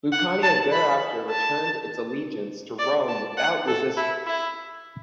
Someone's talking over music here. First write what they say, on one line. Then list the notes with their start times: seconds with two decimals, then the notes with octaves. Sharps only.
Lucania thereafter returned its allegiance to Rome without resistance.
0.12 F#5
0.43 A5
0.72 B5
1.31 A5
2.79 D5
3.09 A5
3.38 F#5
3.68 A4
3.97 E4
4.27 E4